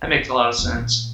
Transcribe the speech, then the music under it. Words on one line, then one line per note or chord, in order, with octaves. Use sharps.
That makes a lotta sense.
D2
G#2
E2 E4
A#2 A3